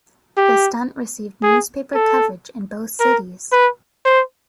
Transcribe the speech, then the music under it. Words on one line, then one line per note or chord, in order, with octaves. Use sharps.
The stunt received newspaper coverage in both cities.
G4
G#4
A4
A#4
B4
C5